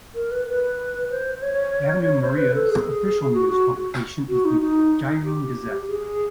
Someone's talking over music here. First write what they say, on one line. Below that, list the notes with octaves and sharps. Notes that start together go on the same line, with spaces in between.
Avenue Maria's official news publication is "The Gyrene Gazette".
A#4
B4
B4
C5
C#5
C#5
C5
B4
A4
G#4
F#4
F#4
F#4
D#4
D#4
G4
G#4